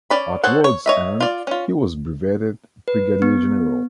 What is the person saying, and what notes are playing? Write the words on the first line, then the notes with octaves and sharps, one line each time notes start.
At war's end he was brevetted Brigadier General.
C#4 D5 B5
G#4 A4 C5 C#5 F#5
C#5
C#5 D#5 E5
F4 D5
C#4 F4
B4
B3